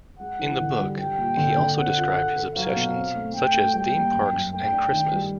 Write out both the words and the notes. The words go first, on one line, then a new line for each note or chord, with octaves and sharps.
In the book, he also describes his obsessions, such as theme parks and Christmas.
G#3 F#5
E3
D3
G3
G3 G5
A#2
D3
D3
C4 F#5
F4
A4
A4
F#3 F5
B2
C4
A3
A3 G5
A3
G3 G5
A#3
F#2
F#2
A3 G5
D4
D#3
G3